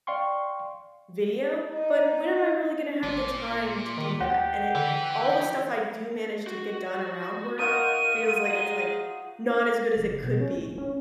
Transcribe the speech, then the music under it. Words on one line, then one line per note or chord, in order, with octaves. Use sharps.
video, but when am I really gonna have the time to do that? And it all the stuff I do manage to d get done around work feels like it's, like, not as good as it could be
D5 F5 G5 C6 C#6
D#4
G#1 A#2
D#3
D2 G4 F#5
D3 E3
F#4
D#4 F4 F#4 A#4 D#7
G#4 C6
F1
F#1
B2
C#4
D1
C#4